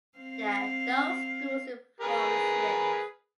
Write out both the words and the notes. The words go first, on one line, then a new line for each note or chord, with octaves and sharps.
There are no schools in Forest Ridge.
C4 F5
G#4 A#4 B4